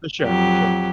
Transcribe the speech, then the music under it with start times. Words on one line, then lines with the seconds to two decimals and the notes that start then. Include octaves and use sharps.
For sure. For sure.
0.23 F2 F#3 G4